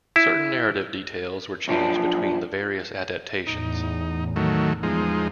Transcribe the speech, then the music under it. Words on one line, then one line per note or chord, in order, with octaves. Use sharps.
Certain narrative details were changed between the various adaptations.
E4
B1 F3 D4
E2 A2 D#4
D#3 F#3 A3
E2 F3 G#3 D#4